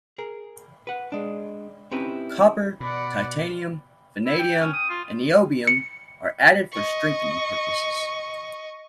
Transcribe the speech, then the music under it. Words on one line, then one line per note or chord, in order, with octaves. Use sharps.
Copper, titanium, vanadium, and niobium are added for strengthening purposes.
G#4 A#4
B4 F#5
G#3 D4
C4 C#4 D#4 E4 G4 B4
B2 D5 F#5 B5
E4
G5
C#4
D#6
F4
C#7
D#5 C#6